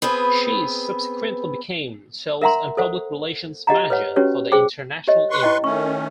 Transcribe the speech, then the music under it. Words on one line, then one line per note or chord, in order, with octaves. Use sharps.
She subsequently became sales and public relations manager for the International Inn.
B3 C4 G#4 B4
A#4 E5 F#5 A#5 C6
A4 C5 F#5
G4 D#5 F#5 A#5
B4 C#5 F#5
C#4 F#4 G4 B4 C#5
G#4 C5 G5 D6
G4 C#5 D#5
B4 C6 C#6
E4 D#5 G5
D#3 A3 C#4 C#6